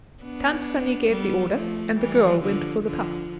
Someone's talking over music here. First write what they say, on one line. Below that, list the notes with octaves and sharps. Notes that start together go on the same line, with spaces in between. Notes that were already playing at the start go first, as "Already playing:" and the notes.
Tant Sannie gave the order, and the girl went for the pap.
B3 D4
G3 B3
F3 A3
E3 G3
D3 F3
D3 F3